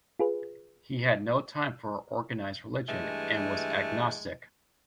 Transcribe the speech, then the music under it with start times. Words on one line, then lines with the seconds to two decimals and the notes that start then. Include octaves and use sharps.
He had no time for organised religion, and was agnostic.
0.19 F4 G#4 B4
2.89 G2 E3 G#3 A3